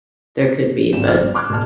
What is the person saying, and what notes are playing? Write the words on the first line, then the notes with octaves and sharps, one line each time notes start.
there could be, but
G#1 G3 E7
G1 F2 C5 D5 F6
G2
C6 D6 F6 F#6 G#6
E1 G#3 A5 F6